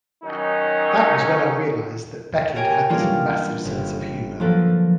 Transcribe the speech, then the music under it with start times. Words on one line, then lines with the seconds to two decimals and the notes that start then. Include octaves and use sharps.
That was when I realised that Beckett had this massive sense of humour.
0.24 D#3 F#3 C#4 D#4
2.56 G4 A#4 C#5 G5 G#5
2.89 E3 G3 A#3 C#4 D4 F4
3.65 G1
4.40 F3 F#3 A#3 A4 B4